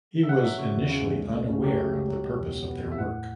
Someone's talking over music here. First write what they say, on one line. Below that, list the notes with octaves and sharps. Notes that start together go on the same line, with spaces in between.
He was initially unaware of the purpose of their work.
E5
F#3 F#5
F#3 E5
C#3 F#4
E2
C#3
E2
C#2
A3
C#3
F#3 G4
A3
C#2
F#3
B2
E2
B3
B3
E2
E5
A2 F#5